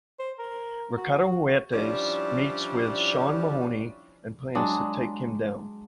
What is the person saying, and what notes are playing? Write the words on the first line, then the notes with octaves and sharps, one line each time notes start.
Ricardo Huertas meets with Sean Mahoney and plans to take him down.
C5
A#4
F#4
F3 G3 C#4 D4 E4
F#3 G#3 D4